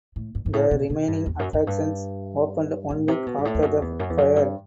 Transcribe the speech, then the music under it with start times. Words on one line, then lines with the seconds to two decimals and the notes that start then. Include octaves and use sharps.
The remaining attractions opened one week after the fire.
0.16 A2
0.35 G2
0.46 G2
0.53 A2
0.71 B2
0.90 B2
1.08 G2
1.26 E2
1.39 F#2
1.53 F#2
1.67 G2
2.90 A2
3.08 C3
3.26 B2
3.38 G2
3.45 A2
3.55 E2
3.62 F#2
3.82 E2
3.99 F#2
4.10 E2
4.18 F#2
4.36 G2